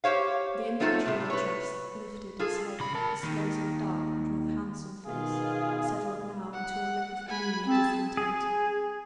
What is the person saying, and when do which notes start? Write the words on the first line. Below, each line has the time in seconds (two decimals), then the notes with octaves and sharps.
The individual addressed lifted his head, disclosing a dark and rather handsome face, settled now into a look of gloomy discontent.
0.04 G4 C5 C#5 F5
0.80 F#3 A3 D#4 F4 A4 C#5
1.06 A2 C3
1.30 B4 C#5
2.39 F4 G#4 A4
2.80 C#3 B5
2.95 A#4 A5
3.23 D#2 D#3
5.06 B2 D#3 F4 G#4 F5
6.53 F#5
7.29 G#5 B5
7.67 C4 G#4 A5
8.17 G#4